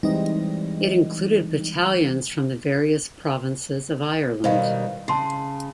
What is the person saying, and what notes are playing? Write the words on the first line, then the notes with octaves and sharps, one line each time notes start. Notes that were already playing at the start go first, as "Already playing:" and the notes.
It included battalions from the various provinces of Ireland.
E3 G3 G#3 C4 D#4 D#5
B2 D#3 G3 C5 D#5 F5
C#3 A5 C6 C7